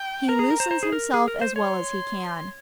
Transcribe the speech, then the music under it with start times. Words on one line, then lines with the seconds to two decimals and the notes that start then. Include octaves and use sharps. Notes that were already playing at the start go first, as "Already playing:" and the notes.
He loosens himself as well as he can.
Already playing: G5
0.28 A#4 A#5
0.39 G#4
0.50 A#4
0.60 C5
0.71 C5
0.83 G#4
0.92 A#4
1.14 G#4
1.28 A#4
1.41 C5
1.56 C#5 C6